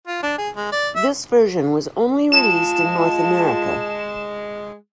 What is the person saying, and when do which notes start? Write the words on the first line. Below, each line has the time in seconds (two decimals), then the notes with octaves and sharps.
This version was only released in North America.
0.07 F4
0.23 D4
0.38 G#4
0.56 G#3
0.72 D5
0.96 E5
2.32 G#3 F4 A5 E7